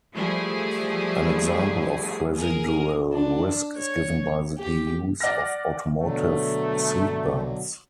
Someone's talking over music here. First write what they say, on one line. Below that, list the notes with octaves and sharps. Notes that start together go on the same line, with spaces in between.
An example of residual risk is given by the use of automotive seat-belts.
F3 G3 A3 E4 G#4
G#4 A#4
D4
C#5
G4
D5 F#5 F6 A#6
B2 D3 F#3 A3